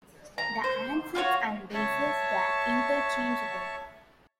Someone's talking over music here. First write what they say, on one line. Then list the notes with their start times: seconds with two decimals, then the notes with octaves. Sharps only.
The handsets and bases were interchangeable.
0.38 A#5
0.64 C5
1.15 F4 F#4 C#5
1.74 C#5 E5 A5 C#6